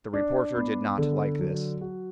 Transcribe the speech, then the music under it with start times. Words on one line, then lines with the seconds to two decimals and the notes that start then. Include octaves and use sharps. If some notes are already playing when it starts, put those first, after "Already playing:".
The reporter did not like this.
0.14 D4
0.55 B3
0.98 D3
1.39 F#3
1.81 F#4